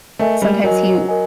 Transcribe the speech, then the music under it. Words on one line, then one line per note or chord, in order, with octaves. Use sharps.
sometimes he
A3 A#4 D#5 G#5
G3
F#3 A#4 D#5 G#5
A#4 D#5 G#5